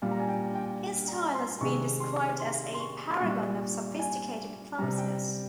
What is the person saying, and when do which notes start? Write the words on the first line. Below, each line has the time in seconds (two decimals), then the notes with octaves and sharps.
His style has been described as "a paragon of sophisticated clumsiness".
0.02 A#2 G3 F5
0.11 A#5
0.19 G#5
0.28 G5
0.55 G5
1.08 A#5
1.34 C6
1.61 C3 D#3 G#3 C#6
2.00 C6
2.40 C6
2.74 C6
2.80 C#6
3.19 A#2 G3 C#6
3.99 G#5
4.78 C3 G3 A#5
4.98 G5